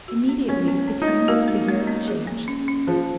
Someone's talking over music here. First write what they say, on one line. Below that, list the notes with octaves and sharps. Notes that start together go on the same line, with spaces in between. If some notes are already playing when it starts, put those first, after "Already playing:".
Immediately the king's figure changed.
F#4
B3
G#3 C#4
B3
B3
D#4
G#3
A#3 F#4
G#3
G#3
B3
G#4
A#3
C#4
C#4
F3 G#4